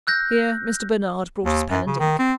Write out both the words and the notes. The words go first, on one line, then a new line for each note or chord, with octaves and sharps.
Here Mr. Bernard brought us pen and ink.
E6 F#6 G6 A#6
D#2
F#2
C#3
D#3
C4